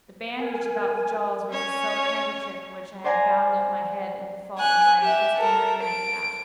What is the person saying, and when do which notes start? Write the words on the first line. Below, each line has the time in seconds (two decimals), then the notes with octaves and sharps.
The bandage about the jaws was a silk handkerchief in which I had bound up my head, in default of my customary nightcap.
0.40 A#4 G#5
1.50 C#4 C#5
3.04 C5 D5 F#5 G#5 A#5
4.59 G#5 F#6
5.01 G4 E5
5.37 A4 A#4
5.83 D7